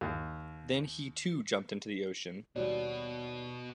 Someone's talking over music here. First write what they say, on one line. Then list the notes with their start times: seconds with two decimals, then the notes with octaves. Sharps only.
Then he too jumped into the ocean.
0.01 D#2
2.56 D#2 B2 F#3 G3 B3 C#5 D5